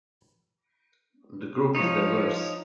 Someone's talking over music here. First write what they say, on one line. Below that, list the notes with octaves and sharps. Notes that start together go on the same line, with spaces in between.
The group is diverse.
F3 D#4 C#5